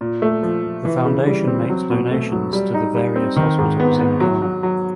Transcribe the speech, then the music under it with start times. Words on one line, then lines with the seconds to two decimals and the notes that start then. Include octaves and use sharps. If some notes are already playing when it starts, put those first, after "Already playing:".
The foundation makes donations to the various hospitals in Ghana.
0.01 A#2
0.22 A3
0.43 F3
0.63 F3
0.85 E3
1.05 C#3
1.27 G3
1.47 C4
1.69 F#3
1.90 B2
2.11 A3
2.32 F#3
2.53 G3
2.74 D#4
2.95 G3
3.16 C4
3.36 D#3
3.58 G#2
3.80 B3
4.00 B3
4.21 F#3
4.42 F#3
4.63 F#3